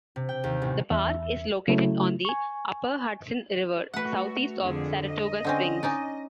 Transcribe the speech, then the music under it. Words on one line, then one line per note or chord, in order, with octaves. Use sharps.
The park is located on the upper Hudson River southeast of Saratoga Springs.
C3
G5
D#2
A1
E2 E5
C#3 F#3 A3 E4
G#5 C#6
A3 F#4 B4 F#5
F2 D3 G#4
D#5
D3 C4 C#4
C#4 D#4 D5